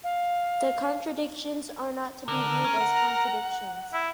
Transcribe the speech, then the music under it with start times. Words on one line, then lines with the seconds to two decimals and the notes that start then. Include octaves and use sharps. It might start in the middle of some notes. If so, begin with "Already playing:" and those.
The contradictions are not to be viewed as contradictions.
0.03 F5
2.28 D3 A#4 A#5
2.64 C#4
2.81 F#5
3.93 E4